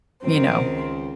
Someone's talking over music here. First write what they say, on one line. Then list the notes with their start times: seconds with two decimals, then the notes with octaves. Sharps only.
you know,
0.23 F#2 D#3 C4
0.63 C#2